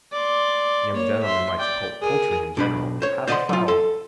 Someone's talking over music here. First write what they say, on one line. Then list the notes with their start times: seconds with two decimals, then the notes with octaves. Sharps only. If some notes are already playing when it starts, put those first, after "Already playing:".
Young gentlemen likes poultry in general: have a fowl!'
0.12 D5 C6
0.92 A#3 C#5
1.23 E5 C6
1.58 D5 G5
2.02 G#4 A#4
2.57 B1 D4 B5
3.02 C5 C#5
3.27 C5 D5 D#5 F5 F#5 C6
3.49 F#3 F4
3.68 A4 C6